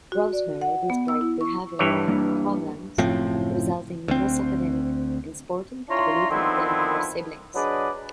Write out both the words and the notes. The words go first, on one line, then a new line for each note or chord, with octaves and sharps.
Rosemary displayed behavioral problems, resulting in less academic and sporting ability than her siblings.
F#4
D5
F#5
B3
E6
E4
C#6
G2 E3 C#5
G3 A#3 D4
F#1 A2 F3 C4
D2 C4
D4 E4 F4 C#5 A#5 C6
D3 D#3 F3 B3 C4 E4
F#3 D4 G#4 B4 D5 D#5